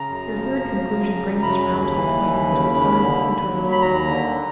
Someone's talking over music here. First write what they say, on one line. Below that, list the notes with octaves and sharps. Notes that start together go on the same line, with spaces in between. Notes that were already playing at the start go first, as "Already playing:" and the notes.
"Your third conclusion brings us round to the point whence we started," retorted Link.
Already playing: C#3 A#5
F#2
F3
F#2
C#3
F#2
C#3 B5
D#2
E3
D#2
C#3
D#2
D3
D#2
F#3
B5
D#2 A#5
D3